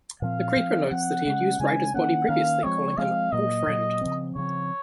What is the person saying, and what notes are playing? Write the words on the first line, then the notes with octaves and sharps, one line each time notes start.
The Creeper notes that he had used Ryder's body previously, calling him "old friend".
A#2 F3 C4 F5
F3 C4
F3 C4 F#5
C#3 G#3 C#4 F#5
C#3 G#3 C#4 G#5
D#3 A#3 C#4 F#5
D#3 A#3 C#4 F5
F3 G#3 C4 C#5
F3 G#3 C4 F5
A#2 F#3 A#3 D#5
A#2 F#3 A#3
C#3 F3 C4
C#3 F3 C4 C#5